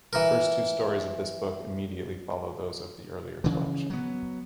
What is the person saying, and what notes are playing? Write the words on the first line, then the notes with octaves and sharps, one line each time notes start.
The first two stories of this Book immediately follow those of the earlier collection.
E3 A#4
C#3 E3
F#3 B3